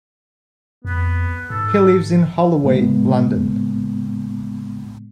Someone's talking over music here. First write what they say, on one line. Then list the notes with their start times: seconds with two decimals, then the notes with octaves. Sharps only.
He lives in Holloway, London.
0.85 F2 B3
1.50 G#2 A4
2.64 A2 C#3 G#3 A#3 B3